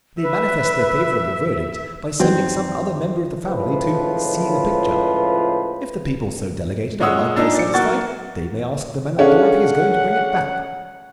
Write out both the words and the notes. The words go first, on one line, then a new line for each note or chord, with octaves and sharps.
They manifest their favorable verdict by sending some other member of the family to "see the picture." If the people so delegated are likewise satisfied, they may ask the man at the door if he is going to bring it back.
B4 E5
F#2 A2 D#3 E3 F#3 C4
C#2 A2 F3 B4
A#2 G#3 C#5 F#5 D#6 E6
A#2 D4 D#4 E6
D5 C#7
F#3 A#3 F#4 C#6 A6
C#4 D4 G#4 A4 F5 F#5